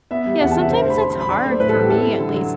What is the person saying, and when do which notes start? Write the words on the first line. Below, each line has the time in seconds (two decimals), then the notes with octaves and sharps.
Yeah, sometimes it's hard, for me, at least,
0.11 B3 E5
0.26 G3
0.40 E2 F#5
0.51 A5
0.56 C3 E5
0.70 D3 C5
0.81 C5
0.85 A3
0.90 B5
1.00 D3 C6
1.10 C6
1.16 F#3 B5
1.30 D4 D5
1.45 A3 C5
1.60 A2 B4
1.69 A4
1.75 F#3
1.80 G4
1.89 E4 A4
2.04 C4
2.20 D3
2.34 F#3